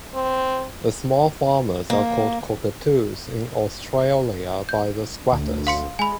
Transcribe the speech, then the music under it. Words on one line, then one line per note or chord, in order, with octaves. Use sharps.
The small farmers are called cockatoos in Australia by the squatters.
C4
A#3
G6
D2
F5 C6 C#7
G#3 G#5 B5